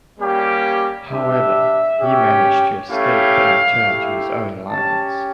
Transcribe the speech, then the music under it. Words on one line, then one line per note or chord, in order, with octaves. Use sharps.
However he managed to escape and return to his own lines.
G3 A#3 C#4 G4
G3 D4 G4 E5
C#4 G4
A3 C#4 E4 G4 F5
A3 E4 G4
C#4 G4 A5